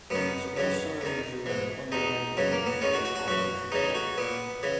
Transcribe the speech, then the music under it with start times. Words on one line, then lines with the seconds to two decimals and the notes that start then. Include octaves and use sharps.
He is also enduring unremitting pain from his artificial foot.
0.10 F#2 D#3 B3
0.57 F#2 C#3 E3
1.01 E2 D#3
1.46 G#2 E3
1.92 E2 B2 D#4
2.37 F#2 C#3 E3
2.52 A#3
2.66 B3
2.81 E2 D#3 C#4
2.94 F#4
3.05 F#4
3.15 F#4
3.27 F#2 E3 F#4
3.72 E2 C#3 E3 D#4
3.95 F#4
4.18 A#2 B3
4.63 C#3 E3